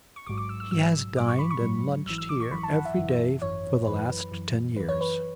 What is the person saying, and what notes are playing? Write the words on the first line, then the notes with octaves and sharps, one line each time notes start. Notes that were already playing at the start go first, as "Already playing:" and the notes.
'He has dined and lunched here every day for the last ten years.
C#6
A1 G#2 F#3 D6
D6
E6
E6
A1 G#2 F#3 E6
A1 G#2 F#3 D6
C#6
B5
C#6
A1 G#2 F#3
G#1 F#2 E3 E6
E6
D6
C#6
G#1 F#2 E3 B5
A5
F#5
E5
G#1 F#2 E3
G#1 F#2 E3 C#5
F#2 E3 B4
F#2 E3
F#2 E3 B4
C#5
B4